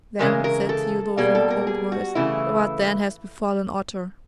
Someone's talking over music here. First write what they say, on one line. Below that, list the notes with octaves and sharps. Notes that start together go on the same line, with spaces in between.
Then said Thiodolf in a cold voice, "What then hath befallen Otter?"
C#3 E3 G#3 A#4
A#4
A4
B2 G3 A#3 G#4
A4
A#4
G#4
F#4
C#3 E3 A3 E4